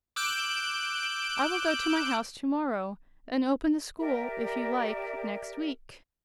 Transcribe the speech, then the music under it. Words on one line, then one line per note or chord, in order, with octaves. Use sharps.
"I will go to my house to-morrow, and open the school, if you like, next week."
D6 E6 F#6 G6 D7
G4 A#4 D5 E5